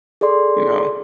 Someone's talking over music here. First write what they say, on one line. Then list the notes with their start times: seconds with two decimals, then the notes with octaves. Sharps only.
you know.
0.21 G#4 A4 D5 C6